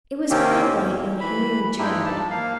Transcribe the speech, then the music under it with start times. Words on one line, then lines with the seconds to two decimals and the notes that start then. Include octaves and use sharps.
It was quite late when Henry returned.
0.31 C3 D#3 A#3 C4 C#4 G4
0.74 E2
1.21 E3 B5
1.79 G2 G#3 D#4 E4 G4
2.06 F3 A5
2.31 A#3 F5